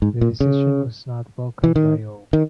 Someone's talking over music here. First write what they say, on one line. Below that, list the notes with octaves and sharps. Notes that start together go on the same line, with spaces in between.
The decision was not welcomed by all.
G#2
A#2
C#3
E3
D#3
D#3